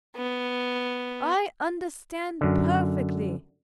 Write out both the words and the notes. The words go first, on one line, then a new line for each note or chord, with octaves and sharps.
I understand perfectly.
B3
F#2 D3